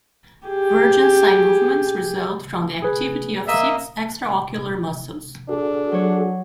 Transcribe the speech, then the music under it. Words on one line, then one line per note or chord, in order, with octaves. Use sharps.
Vergence eye movements result from the activity of six extraocular muscles.
G4 G#4
G#4 B4
A#3 D#5 E5
D4 F#4 G#4 A4
F#3 C#5